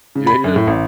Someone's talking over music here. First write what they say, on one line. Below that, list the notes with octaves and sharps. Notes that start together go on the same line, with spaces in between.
Yeah, yeah.
C#3
B5
F#2
A2
A1